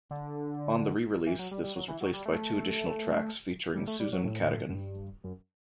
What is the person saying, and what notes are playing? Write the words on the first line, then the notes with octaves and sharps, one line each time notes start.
On the re-release, this was replaced by two additional tracks featuring Susan Cadogan.
D3
E3
F#3
G3
G3
F#3
E3
F#3
G3
A3
G3
A3
G3
F#3
A2
F#2
G2
F#2